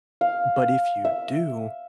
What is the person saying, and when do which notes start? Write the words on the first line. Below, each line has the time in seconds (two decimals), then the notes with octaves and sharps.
but if you do,
0.21 F5
1.05 E5